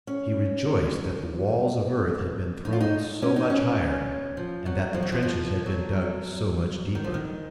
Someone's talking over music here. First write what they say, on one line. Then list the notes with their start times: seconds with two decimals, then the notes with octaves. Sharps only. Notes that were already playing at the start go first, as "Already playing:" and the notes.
He rejoiced that the walls of earth had been thrown so much higher and that the trenches had been dug so much deeper.
0.07 C#4
2.65 D#4
2.73 F4
2.81 D#4
3.22 C#4
3.36 D#4
3.50 C#4
4.37 F3
4.66 F#3
4.94 F3
5.03 F#3
5.12 F3
5.23 F3
5.66 F#3
6.95 D#3
7.04 F3
7.14 D#3